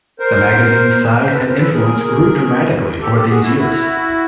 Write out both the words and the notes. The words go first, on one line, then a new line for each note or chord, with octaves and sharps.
The magazine's size and influence grew dramatically over these years.
A#4 C5
C5
A4 B4
A#4 C5
A4 B4
G#4 A#4
G4 A4
G4 A4
F#4 G#4
E4 F#4
E4 F#4